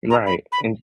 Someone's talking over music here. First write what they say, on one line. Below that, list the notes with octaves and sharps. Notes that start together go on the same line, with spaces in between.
Right, and
A#5
B5
B5